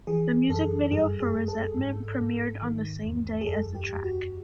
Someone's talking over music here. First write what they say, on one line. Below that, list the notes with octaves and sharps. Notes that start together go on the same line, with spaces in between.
The music video for "Resentment" premiered on the same day as the track.
E3 G#4
F#2 A4
G2 G#4
G#4
G2
A4
G#2
G#2
D#3
E2
G#4
F#2 A4
G4
F#2
F#4